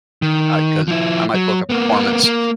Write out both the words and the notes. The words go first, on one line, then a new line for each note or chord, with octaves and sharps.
uh, 'cause I might book a performance,
D#3
F3 E4
F#3
A#3 B3
A#3